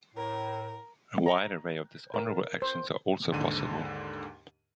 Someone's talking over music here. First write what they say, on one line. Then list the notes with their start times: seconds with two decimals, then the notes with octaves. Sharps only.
A wide array of dishonorable actions are also possible.
0.15 A2 A#4
1.26 A#5
2.14 A#4
2.62 C5
3.32 D#2 G#2 D3 D#7